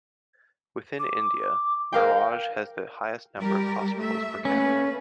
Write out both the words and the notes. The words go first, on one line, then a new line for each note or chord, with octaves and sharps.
Within India, Miraj has the highest number of hospitals per capita.
D6
A#4 F5 G5
G3 G4 A#4
A3 E5
A3 A#3 C#4 B4